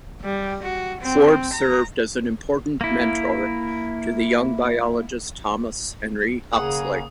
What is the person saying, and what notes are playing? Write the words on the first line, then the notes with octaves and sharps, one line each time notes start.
Forbes served as an important mentor to the young biologist Thomas Henry Huxley.
G3
F#4
C4
A#5
A#3 E4
C#3 A#3 G#4 F#5 A#5 D#6